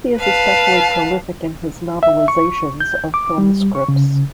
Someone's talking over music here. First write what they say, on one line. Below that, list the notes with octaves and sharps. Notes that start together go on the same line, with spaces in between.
He is especially prolific in his novelizations of film scripts.
B4 F5 A5
E5
C#6
G6
D6
G3
C#6
C#3